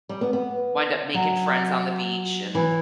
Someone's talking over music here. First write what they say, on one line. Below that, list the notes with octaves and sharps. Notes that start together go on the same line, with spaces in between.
wind up making friends on the beach, and
G3
B3
B3
F#3
E3